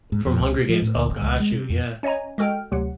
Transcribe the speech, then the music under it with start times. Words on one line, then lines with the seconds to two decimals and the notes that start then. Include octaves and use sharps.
from Hunger Games oh, got you, yeah.
0.12 G#2
0.26 F2
0.40 C#2
0.58 C3
0.69 F3
0.82 A2
0.96 D2
1.10 G1
1.22 C#2
1.40 G#3
1.52 C3
1.70 F2
2.03 C#4 C#5 D#5 G#5 A#5
2.38 G#3 F#4 A4 G5 F6
2.72 D2 C3 F#3 F#5